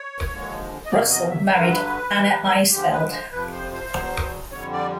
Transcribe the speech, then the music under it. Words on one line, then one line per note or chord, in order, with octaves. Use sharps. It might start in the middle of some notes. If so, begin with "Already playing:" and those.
Russell married Anna Isfeld.
Already playing: C#5
D#2 D3 F3 G#3
D#5
E2 C3 D#3 F#3 D5
D#5
E5
G2 D3 F#3 B4
A#4
B4
A2 E3 G3
D2 D3 F3 G#3 G4
B4
C5
F2 C3 F3 B4
C5
C5
E2 B2 F#3
F2 D3 G3 C#5
D5